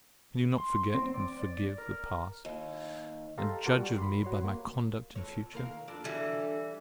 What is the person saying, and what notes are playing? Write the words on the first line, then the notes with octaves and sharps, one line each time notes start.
Can you not forget and forgive the past, and judge of me by my conduct in future?
C6
C4
D5
D5
A#4
D#2
G4 A4 F5 A5 A#5 C6
F4 F#4 A#4 A5 C#6 D6
G3
B5 C6
F#4 C#5 C6
A#3
F2 C#5
D#2 A#4 F5
F2 D4
D3 E3 G3 F#4